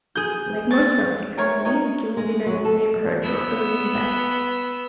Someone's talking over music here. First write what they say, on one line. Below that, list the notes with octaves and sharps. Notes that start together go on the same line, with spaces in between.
Like most rustic communities, Gylingden and its neighbourhood were early in bed.
G#4 G6
C#6 A6
C3 A#4 C#5
D#4 C#5
G#3
F#3
A4
B3 E6